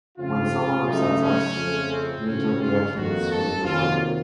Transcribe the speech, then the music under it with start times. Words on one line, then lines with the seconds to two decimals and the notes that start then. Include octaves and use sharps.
When someone upsets us, knee-jerk reactions should be avoided.
0.17 F2 C#3 A3 C4 F4
0.86 C#3 F#3 A3 D#4
1.21 C#4
1.56 F2 C#3 F3 A3
1.91 C4
2.25 C#3 F#3 A3 C4 C#4
2.59 F4
2.95 F2 D#3 A#3 F#4
3.30 A4
3.64 C3 D#3 F#3 A#3 F4